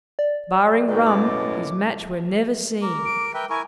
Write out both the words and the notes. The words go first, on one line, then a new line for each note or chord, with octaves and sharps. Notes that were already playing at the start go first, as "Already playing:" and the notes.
Barring rum, his match were never seen.
D5
D#2 G#2 B2 D#3
F#2 A2 D6
A#4 D6
D7
A#4 B4 E5 G5
E4 A#4 G#5 C#6